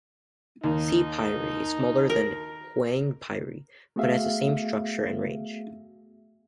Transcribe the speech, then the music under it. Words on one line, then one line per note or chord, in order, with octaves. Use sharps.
"Se piri" is smaller than "hyang piri" but has the same structure and range.
D#2 D#4
A#4
A3 B3 F#4 G#4 E5 F5